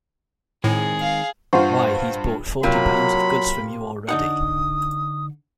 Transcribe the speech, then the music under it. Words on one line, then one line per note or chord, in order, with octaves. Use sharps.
Why, he's bought forty pounds of goods from you already.
A2 D#3 G#3 C4 G#4
F5
G2 F4 C5 F#5 C#6
C3 F#3 A#3 F4 B5
D3 D#4 F#5 D#6